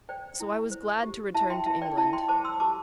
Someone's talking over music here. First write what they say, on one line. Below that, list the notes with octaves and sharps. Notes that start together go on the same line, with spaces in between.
So I was glad to return to England.
C5 D5 G5
E4
C5
G4
E4 E5 A5
G5 C6
E4 E5 A5
D5 G5
E4 E5 A5
G5 C6
C5 A5 D6
C6 E6
G4 A5 D6